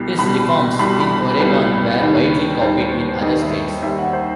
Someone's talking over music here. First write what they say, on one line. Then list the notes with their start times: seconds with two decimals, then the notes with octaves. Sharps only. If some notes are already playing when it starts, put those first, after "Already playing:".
His reforms in Oregon were widely copied in other states.
Already playing: C2 B2 G3
0.19 C2 B2 G3 B5
0.49 C6
0.79 C2 B2 G3 B5
1.00 B5
1.40 C2 B2 G3 B4
2.01 D#2 D#3 G3
2.61 D#2 D#3 G3 C5
3.22 D#2 D#3 G3 D#5
3.42 E5
3.82 D#2 D#3 G3 E5
3.98 F#5
4.13 C5